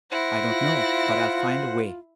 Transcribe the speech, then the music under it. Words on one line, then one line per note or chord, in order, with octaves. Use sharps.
"I don't know, but I'll find a way."
E4 C5 F#5 A#6
F4